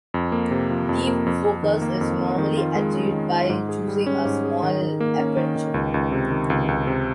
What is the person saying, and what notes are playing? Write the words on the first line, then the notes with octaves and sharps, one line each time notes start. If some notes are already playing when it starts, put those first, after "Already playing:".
Deep focus is normally achieved by choosing a small aperture.
F2
A#3
C3
F3
F2
A#3
F2
F2
D#3
A#3
F2
F2
D#3
F4
G#3
C#4
D#3
F4
G#2
G#4
G3
C#4
G#2
G#4
D#3
D#3
A#3
C#4
D#3
D#3
C#2
C#2
C3
D#3
C#2
C#2
C3